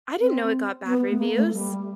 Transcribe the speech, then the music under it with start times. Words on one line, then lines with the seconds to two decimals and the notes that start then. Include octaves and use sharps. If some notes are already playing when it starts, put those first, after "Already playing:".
I didn't know it got bad reviews.
0.21 C4
0.86 B3
1.09 A3
1.18 A#3
1.35 A3
1.52 G3